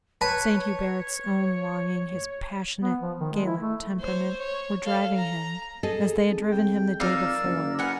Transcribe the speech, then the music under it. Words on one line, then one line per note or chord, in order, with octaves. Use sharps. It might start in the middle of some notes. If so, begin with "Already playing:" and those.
Saint Hubert's own longing, his passionate, Gallic temperament, were driving him as they had driven him the day before.
B4 C#5 A5
B3
F3
D#3
G#3
E4
A3
C5 C#5
C#5
A4 F5
A#5
G#4 A4 D#5
G#1
C2 G5
F2 D#4 A#4 D5 F5 E6
F#1
A#4 B4 F#5 G#5